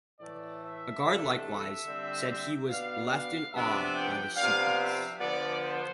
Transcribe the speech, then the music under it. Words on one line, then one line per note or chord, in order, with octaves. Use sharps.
Agard likewise said he was "left in awe" by the sequence.
A2 E3 A3 D5
E5
C3 E3 A3 D4
E5
D3 G3 C4
B2 B3 D4 F5
F5
C3 F3 B3 D4 E5
G5
C3 F3 B3 D4 F5
E5
D3 F3 B3 D5
C5